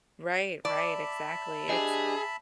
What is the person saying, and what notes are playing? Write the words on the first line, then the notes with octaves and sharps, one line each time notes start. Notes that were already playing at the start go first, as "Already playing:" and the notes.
Right, right, exactly, it's
D5 E5 A5 B5
D4 G4 G#4 D#5